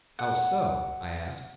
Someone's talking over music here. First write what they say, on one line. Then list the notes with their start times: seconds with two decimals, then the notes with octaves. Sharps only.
"How so?" I asked.
0.19 F#5